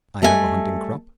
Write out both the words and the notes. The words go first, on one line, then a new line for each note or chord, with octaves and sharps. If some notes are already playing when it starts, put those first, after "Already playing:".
"I have a hunting-crop."
G3 A3 D#5 E5 G#5